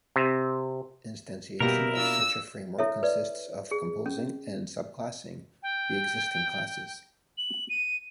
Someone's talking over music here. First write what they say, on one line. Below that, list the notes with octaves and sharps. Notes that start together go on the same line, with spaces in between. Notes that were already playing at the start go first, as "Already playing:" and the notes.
Instantiation of such a framework consists of composing and subclassing the existing classes.
C3
B2 G3 A#3 B3 E4 G4 A#4 A#6
D4 F4 E6
E4 A4 C#5 E5
B4 D5
G#4
C#4
G5
F#7
D#7